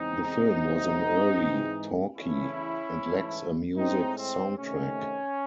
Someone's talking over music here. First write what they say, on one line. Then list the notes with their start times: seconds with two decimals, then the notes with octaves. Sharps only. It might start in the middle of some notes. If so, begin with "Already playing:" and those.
The film was an early "talkie" and lacks a music soundtrack.
Already playing: E2 C#3 G#3 C4 D#4
0.55 C3 F#3 A3
1.35 G#2 E3 G#3
2.16 E2 C#3 E3 A3 C#4 E4
2.97 G#2 E3 A3
3.77 A2 G#3 C4 D#4
4.18 C4
4.57 C3 D#3 A3 C#4